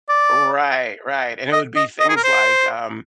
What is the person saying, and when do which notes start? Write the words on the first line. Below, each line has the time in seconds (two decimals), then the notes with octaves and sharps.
Right, right, and it would be things like, um,
0.09 D5
1.52 D#5
1.76 D#5
2.00 D#5
2.09 G#4
2.16 A#4
2.24 C5